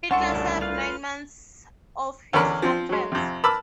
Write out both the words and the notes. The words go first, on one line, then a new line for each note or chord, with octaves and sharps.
Hitler served nine months of his sentence.
C2 C#4 D4 A4 F#5 C6 C#6 C#7
D#1 D2 C#3
A3 F4 B4 F5 F7
E2 D3 C#4 A#4 B5 F6
F3 C4 C6
F#3 G#3
F2 C3
A#4 B4 A5 B5 D6 E6